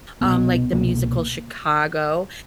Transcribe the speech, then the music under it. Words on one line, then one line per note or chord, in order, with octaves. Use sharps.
Um, like the musical Chicago,
C2 B2 B3
C2 B2 A#3